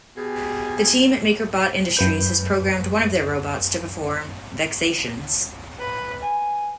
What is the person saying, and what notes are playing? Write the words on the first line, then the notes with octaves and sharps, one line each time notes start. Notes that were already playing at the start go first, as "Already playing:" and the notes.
The team at MakerBot Industries has programmed one of their robots to perform "Vexations".
B2 G4 G#4
F#2 B4 G6
B4
G#5